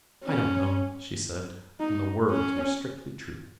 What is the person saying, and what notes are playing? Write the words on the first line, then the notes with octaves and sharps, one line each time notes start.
"I don't know," she said: and the words were strictly true.
C#4
D#4
C#4